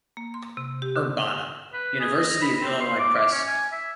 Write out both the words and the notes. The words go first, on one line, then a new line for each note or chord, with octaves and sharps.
Urbana: University of Illinois Press.
A#3
C6
C3
G4
D3
B4
G#4
D#5
B5
C4
C6
D6
D6
C#4
G#5
E5